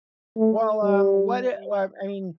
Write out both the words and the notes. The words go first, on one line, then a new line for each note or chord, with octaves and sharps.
Well, um, what eh, what I mean,
A3
G3